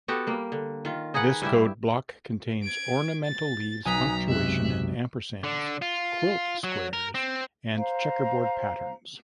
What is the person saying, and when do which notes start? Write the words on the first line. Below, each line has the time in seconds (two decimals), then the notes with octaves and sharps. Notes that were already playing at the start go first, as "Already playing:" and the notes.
This code block contains ornamental leaves, punctuation, and ampersands, quilt squares, and checkerboard patterns.
0.08 B3 F#4 G4 A4
0.27 G3 A#3
0.52 D3
0.85 D#3 F4
1.14 D#4 G#4 B4 F#5
1.42 G2 E4 G4 E5
2.62 G#6 D7
3.23 A6
3.85 B1 G#5 A#5 D#6 F#6 B6
4.27 F#2 C3 G#3 E5 F#6
5.44 D3
5.82 F4
6.64 F#3
6.93 A#4
7.15 C4
7.76 C5 F5 A#5